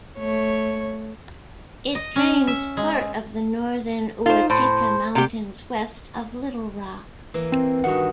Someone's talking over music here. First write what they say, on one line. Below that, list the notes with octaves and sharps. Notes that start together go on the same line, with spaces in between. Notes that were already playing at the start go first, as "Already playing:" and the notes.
It drains part of the northern Ouachita Mountains west of Little Rock.
A3 C#5
D#5
C#4
E5
G#3
D#4 F4 C5
A2 C5
C3 G4
E3 A#3
C4
G2 D#3 F#4 F#5